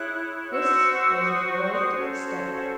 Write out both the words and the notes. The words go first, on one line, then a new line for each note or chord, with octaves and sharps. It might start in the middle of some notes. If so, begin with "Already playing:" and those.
This was a great step.
Already playing: E4 G#4 C#5 F#6
F#4 C5 E6
D#6
C#6
D#6
C#4 F#4 A4 C5